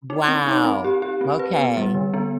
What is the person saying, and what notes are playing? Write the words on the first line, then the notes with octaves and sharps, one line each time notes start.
Wow. Okay.
D#4
C4
D#4
C4
G4
G4
C4
B4
B3
G3
D3
B3